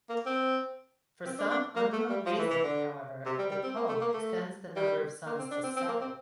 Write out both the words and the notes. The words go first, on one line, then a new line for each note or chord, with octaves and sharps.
For some unknown reason, however, the poem extends the number of sons to seven.
A#3
C4
C4
D4
D4
A#3
A3
G3
F3
E3
E3
D3
C3
G3
G3
C4
A#3
A3
A#3
A3
G3
A#3
C4
D4
C4
C4
A#3
C4